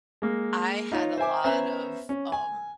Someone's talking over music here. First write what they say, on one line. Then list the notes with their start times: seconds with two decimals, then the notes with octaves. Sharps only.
I had a lot of, um
0.22 G#3 A#3
0.92 D#4 F4 C#5
1.18 C5 E5 G#5 D6
1.44 B3 C#4 C5 E5 G#5 A#5
2.09 C#4
2.32 G#5